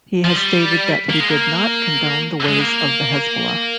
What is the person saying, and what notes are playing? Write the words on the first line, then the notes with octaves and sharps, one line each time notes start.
He has stated that he did not condone the ways of the Hezbollah.
F3
G3
A#3
G#3
A#3
G#3
A#3